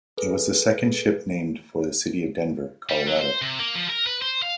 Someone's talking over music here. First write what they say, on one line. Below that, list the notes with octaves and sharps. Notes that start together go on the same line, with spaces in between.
It was the second ship named for the city of Denver, Colorado.
G#4 A4 B4
G3
F#3
C5
C3
A#3
F3
A#4
B4
C5
F5